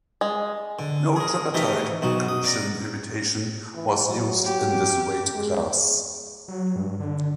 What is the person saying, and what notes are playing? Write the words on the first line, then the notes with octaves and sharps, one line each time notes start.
No Tripartite Commission invitation was used in this weight class.
G#3
D3
G#4 A#4
E3 A3 D#4 G4 A#4 E5
B1 D#4 F#4
D#6
D5 A#5
E3
F#3
G4
G#3
F#3
G2
D3